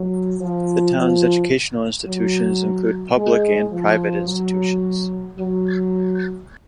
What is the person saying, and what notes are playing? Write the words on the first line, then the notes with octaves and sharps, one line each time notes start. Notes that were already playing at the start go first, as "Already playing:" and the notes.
The town's educational institutions include public and private institutions.
Already playing: F#3
F3
F3
F#3
G#3
F3
F#3
F#3